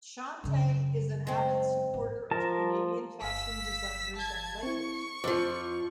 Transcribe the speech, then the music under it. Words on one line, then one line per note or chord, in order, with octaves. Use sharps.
Chante is an avid supporter of Canadian Fashion Designers and labels.
F#2 C#3
G#3 C4
A1
F3 A#4 A5
G1 F5 E6 B6
A5 G#6
C4 E4 C#6
F2 F3 D6